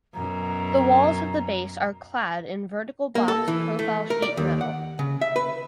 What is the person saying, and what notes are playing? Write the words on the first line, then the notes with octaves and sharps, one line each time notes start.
The walls of the base are clad in vertical box profile sheet metal.
F#2 B2 A#5
A#3
A4
E3
A3
A#4
D5
D#2
F#5
C#3
E5
B4